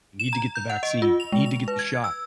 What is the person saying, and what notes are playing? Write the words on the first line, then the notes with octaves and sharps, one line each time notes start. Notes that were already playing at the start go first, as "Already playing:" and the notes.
I need to get the vaccine, I need to get the shot,
E7
A#5
G6
F#5
D#5
F4
F7
G#3
F7
B4
G#6
E6